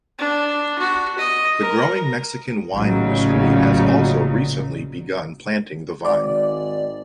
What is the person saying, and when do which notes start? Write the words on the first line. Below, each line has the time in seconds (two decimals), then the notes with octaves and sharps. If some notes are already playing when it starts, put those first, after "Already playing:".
The growing Mexican wine industry has also recently begun planting the vine.
0.19 D4
0.79 F#4
1.18 D#5
1.60 A#4
2.74 A1 A#2 C#3 F#3 D#4
6.05 G#1 G#3 D5